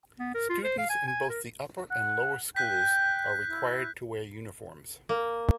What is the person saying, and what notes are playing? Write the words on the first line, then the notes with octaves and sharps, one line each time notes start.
Students in both the Upper and Lower schools are required to wear uniforms.
B3
A#4
F4
C5
F5
G#5
G#5
A#4
F#5
G5 F#6 G6 B6
E4
A#3